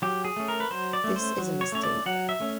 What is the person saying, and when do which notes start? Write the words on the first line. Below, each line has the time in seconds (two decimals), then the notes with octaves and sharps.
This is a mistake.
0.02 F#3 G4
0.25 G#4
0.36 A3 C#4
0.48 A#4
0.60 B4
0.71 F#3 C5
0.93 D5
1.04 A3 C#4
1.16 C5
1.38 F#3
1.61 C#5
1.72 A3 C#4 C#5
1.83 D5
2.06 F#3 F#5
2.29 E5
2.40 A3 C#4